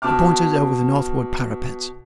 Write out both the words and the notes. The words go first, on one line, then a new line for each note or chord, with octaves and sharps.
He pointed over the northward parapet.
B2 A5 D6 F6